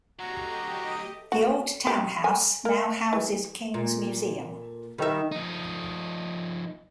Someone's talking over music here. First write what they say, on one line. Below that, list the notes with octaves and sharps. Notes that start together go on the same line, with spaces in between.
The Old Town House now houses King's Museum.
D2 F#3 F#4 G4 D#5 A#5
F#4
G4
G#5
A#3
E3
A#2
D#3 G3 E5
F3 D#4